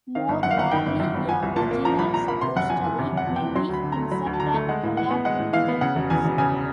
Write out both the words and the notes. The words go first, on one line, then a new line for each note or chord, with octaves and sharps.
More rarely, a vaginal suppository may be inserted prior to intercourse.
D#3 F5
G1
F#2 F#5
F5
G1 F#5
D#3 G5
G1
F#2
G1
F3 G#5
C2
A#2 A5
A#3
F3 A#5
C2 B5
A#2 A#5
A#3 B5
C3 C6
F#1 F#5
F2 G#5
E3 G#5
C3
F#1 F#5
F2
G5
E3
F#3 C6
D2 B5
D3
A3 A#5
F#3 B5
D2
A5
D3 A#5
A3
G#3 F#5
A2
E3 F#5
B3
G#3 F#5
A2
E3 F5
B3
C#3 F#5
E1
E2 G#5
E1
C#3 G#5